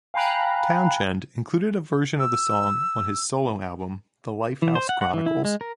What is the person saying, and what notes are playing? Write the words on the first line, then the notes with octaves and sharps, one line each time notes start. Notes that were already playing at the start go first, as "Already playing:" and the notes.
Townshend included a version of the song on his solo album "The Lifehouse Chronicles".
F5 G5 G#5 A#5 B5 F#6
E6
E3
C5
F#5
F#5
E3
E4
G#3
A#4